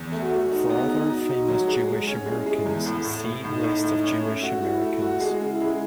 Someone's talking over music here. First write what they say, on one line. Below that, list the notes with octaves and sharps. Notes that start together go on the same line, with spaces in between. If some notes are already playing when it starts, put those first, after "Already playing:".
For other famous Jewish Americans, see List of Jewish Americans.
Already playing: E2
A3
F#4
A3
D#4 F#4
B3
G#4
D#4
D#4 F#4
D#4
F#3
G#3
G#3
C#4
G#3 E4
G#3
E2
A2
A2
A2
A2 D#4
A2
A2
C#4
A3
F#4
E4 F#4
A3
F#4
G#3
C#3
E4
G#3